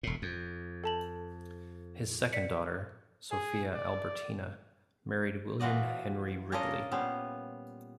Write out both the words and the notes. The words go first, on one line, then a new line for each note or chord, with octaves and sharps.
His second daughter, Sophia Albertina, married William Henry Ridley.
E1 A2
F2
A4 A5 F#7
D5 B6 C#7
G#4
D5
E3 F4 F#4 D5 D#5
C#4 D4 F4 A4 A#4 D#5
A#2 G3 B3 C#4 C5